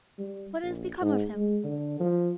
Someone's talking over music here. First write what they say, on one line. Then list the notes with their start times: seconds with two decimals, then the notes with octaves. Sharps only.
"What has become of him?"
0.19 G3
0.63 A#1
1.01 G#2
1.34 G#3
1.64 D3
2.00 F3